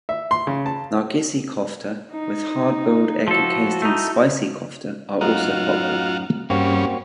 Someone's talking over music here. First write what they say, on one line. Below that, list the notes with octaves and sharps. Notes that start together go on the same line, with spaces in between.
Nargisi kofta with hard boiled egg encased in spicy kofta are also popular.
E5
C6
C#3
A5
D#4
F3 E4 F#4 A4
A3 D#4
F#2 A2 D#4 F4 F#4
G2 A#3 C4 C#4 F#4